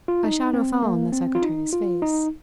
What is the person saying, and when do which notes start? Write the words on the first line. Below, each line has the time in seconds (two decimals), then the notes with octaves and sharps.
A shadow fell on the secretary's face.
0.08 F4
0.24 D#4
0.53 C4
0.83 A#3
1.12 C4
1.35 F4
1.42 D#4
1.73 F4
2.02 D#4